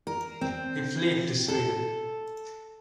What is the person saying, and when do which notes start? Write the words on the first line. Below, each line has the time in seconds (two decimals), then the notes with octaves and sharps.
He fled to Sweden.
0.07 A#4
0.41 C4
1.48 A4